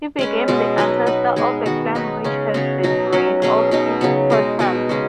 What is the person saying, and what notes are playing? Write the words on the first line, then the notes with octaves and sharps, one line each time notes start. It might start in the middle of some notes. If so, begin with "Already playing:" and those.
He became the ancestor of a clan which has the rain for its totem.
G#3 C#4 B4
B2 G#3 B3
F#3 D#4 B4 D#5
B3 D#4 B4
G#3 B3 D#4 G#4
D#3 B3 F#4
F#3 D#4 B4
C#3 G#3 C#4
C#3 B3 F#4 C#5
B2 F#3 D#4 F#4
F#3 C#4 F#4
B2 F#3 C#4 G#4
B2 F#3 D#4
C#3 F#3 B3
B2 G#3 D#4
B2 G#3 B3 D#4
C#3 G#3 C#4 F#4